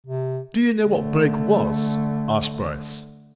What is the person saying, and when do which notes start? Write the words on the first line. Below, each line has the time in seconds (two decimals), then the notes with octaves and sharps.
"Do you know what Brake was?" asked Bryce.
0.06 C3
0.85 D3 A3